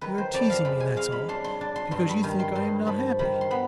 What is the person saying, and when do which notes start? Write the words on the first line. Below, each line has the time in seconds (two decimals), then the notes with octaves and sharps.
"You are teasing me--that's all--because you think I am not happy!"
0.01 D#3 B4
0.18 C5
0.34 F2 D5
0.50 F5
0.65 G#3 B5
0.80 G#5
0.96 G#3 F5
1.12 B5
1.29 D4 C6
1.44 C6
1.61 D4
1.76 C6
1.91 G2 C6
2.08 B5
2.23 D#3 G#5
2.40 C6
2.55 G2 C6
2.87 F3 B5
3.19 D#3 B5
3.41 C6
3.51 B3 B5